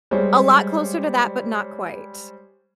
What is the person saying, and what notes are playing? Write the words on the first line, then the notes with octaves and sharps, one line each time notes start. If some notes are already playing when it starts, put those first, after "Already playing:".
A lot closer to that but not quite.
G3 G#3 C5 C#5